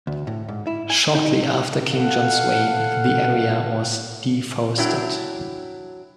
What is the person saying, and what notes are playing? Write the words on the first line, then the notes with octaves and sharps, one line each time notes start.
Shortly after King John's reign, the area was deforested.
D2
A2
G#2
E4
G#5
D#4
A4 F5 F#5
F#3 D4 E4 G5